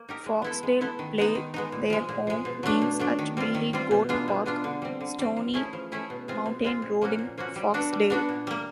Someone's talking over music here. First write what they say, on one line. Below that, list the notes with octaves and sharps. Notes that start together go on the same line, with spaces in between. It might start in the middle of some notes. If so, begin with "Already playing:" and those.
Foxdale play their home games at Billy Goat Park, Stoney Mountain Road in Foxdale.
Already playing: A#3
D#4 G4 A#4
G#3
B3 E4 A4
G#3
B3 E4 A4
D#3
G#3 B3 D#4
D#3
G#3 B3 D#4
A#2
F3 G#3
A#2
F3 G#3
B2
F#3 A3 D4
B2
F#3 A3 D4
D#3
G3 C4 F4
D#3
G3 C4 F4
B2
G#3 B3 D4 F4
B2
G#3 B3 D4 F4
D3
G3 C4
D3
G3 C4
F3
A3 C#4 E4 G#4
F3
A3 C#4 E4 G#4
B2
G#3 C4 F4
B2
G#3 C4 F4
A#2
F3 A#3 C#4 F#4
A#2
F3 A#3 C#4 F#4
G3
B3 D4 F#4
G3
B3 D4 F#4
A#2
G3 A#3